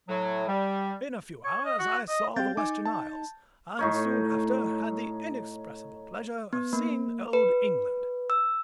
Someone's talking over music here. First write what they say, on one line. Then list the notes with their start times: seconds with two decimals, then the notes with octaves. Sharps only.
In a few hours I saw the Western Isles, and soon after had the inexpressible pleasure of seeing Old England.
0.08 A2 F#3
0.47 G3
1.44 C#5
1.65 D#5
1.79 F#4
2.08 D#5
2.36 C4 G4 F5 G6 A6
2.57 D#4 G#5 D6
2.85 A5
3.79 A2 D#4 C#5
6.53 B3
6.73 A#3
7.33 B4
8.30 E6